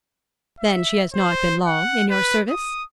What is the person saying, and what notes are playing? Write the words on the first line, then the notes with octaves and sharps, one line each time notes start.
"Then she has not been long in your service?"
E5
C5
F#5
B4
D#6